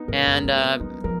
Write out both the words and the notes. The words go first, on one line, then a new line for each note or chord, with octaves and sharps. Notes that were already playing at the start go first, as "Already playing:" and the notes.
and, uh, m
Already playing: B3 D#4
G#2 A#4
F#2
G#3
G#2
B3
F#3 D#4
F3 A#4